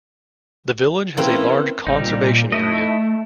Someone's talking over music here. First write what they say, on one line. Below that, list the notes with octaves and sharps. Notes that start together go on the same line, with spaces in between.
The village has a large Conservation Area.
E3 A#3 C4 C#4
A1 G3 C4 D#4
A#2
A3 D#4 E4 D#5